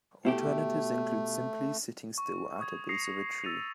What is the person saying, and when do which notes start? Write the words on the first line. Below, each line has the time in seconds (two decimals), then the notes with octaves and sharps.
Alternatives include simply sitting still at the base of a tree.
0.25 B2 A3 E4 G4
2.18 C#6
2.59 C#6 D#6 G#6
2.89 D#6 A#6 C7 C#7 F7
3.44 E6 A6 A#6 C7 D#7 F7